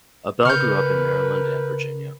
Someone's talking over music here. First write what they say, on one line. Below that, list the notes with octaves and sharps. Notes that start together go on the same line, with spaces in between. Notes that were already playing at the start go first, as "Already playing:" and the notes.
Abell grew up in Maryland and Virginia.
C#3 A#4 B4 F6 G6 C#7